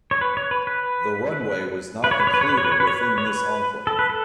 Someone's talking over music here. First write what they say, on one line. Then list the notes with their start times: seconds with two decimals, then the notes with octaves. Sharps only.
The runway was not included within this enclave.
0.11 C#5
0.21 B4
0.37 C#5
0.51 B4
0.67 B4
2.04 B4
2.11 C#5
2.20 B4
2.27 C#5
2.34 B4
2.41 C#5
2.49 B4
2.57 C#5
2.64 B4
2.72 C#5
2.80 B4
2.87 C#5
2.94 B4
3.18 C#5
3.27 B4
3.87 A4
3.99 B4
4.10 A4